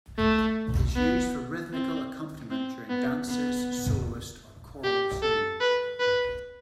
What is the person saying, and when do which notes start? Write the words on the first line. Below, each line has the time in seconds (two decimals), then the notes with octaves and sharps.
It is used for rhythmical accompaniment during dances, soloist or choral singing.
0.18 A3
0.95 B3
1.73 C4
2.51 C4
2.89 B3
3.28 B3
4.84 G4
5.22 A4
5.61 B4
6.00 B4